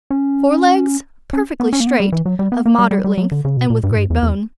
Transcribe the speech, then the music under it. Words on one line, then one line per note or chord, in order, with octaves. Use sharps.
FORE-LEGS--Perfectly straight, of moderate length, and with great bone.
C#4
C#4
B3
C#4
A#3
B3
G3
E3
F#3
G3
B3
A#3
G3
G3
G3
F#3
D3
C#3
B2
A#2
G2
A#2
G2
E2
E2